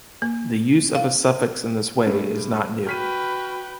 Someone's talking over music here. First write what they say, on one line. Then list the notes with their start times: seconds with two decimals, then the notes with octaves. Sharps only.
The use of a suffix in this way is not new.
0.22 A#3
0.95 F5
2.07 G2 G#3 A3
2.87 F#4 B4 G5 F6 B6 D#7